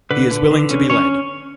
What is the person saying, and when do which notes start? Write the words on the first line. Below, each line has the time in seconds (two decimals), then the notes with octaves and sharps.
He is willing to be led.
0.11 D3 B4
0.31 D3
0.51 D3
0.71 C#4
0.90 C#4 C#5